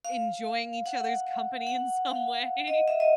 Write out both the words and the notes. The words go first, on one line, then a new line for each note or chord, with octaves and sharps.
enjoying each other's company in some way.
F5
F#5
F#5
F5
D#5
E5
D#5